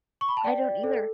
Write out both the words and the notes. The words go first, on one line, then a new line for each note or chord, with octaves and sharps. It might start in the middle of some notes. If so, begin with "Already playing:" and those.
I don't either.
C#6
B5
A5
D5 G5
D5
A4